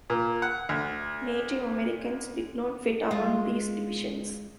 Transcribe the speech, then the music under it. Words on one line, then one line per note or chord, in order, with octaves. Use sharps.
Native Americans did not fit among these divisions.
A#2
F#5
D2
G#3 F4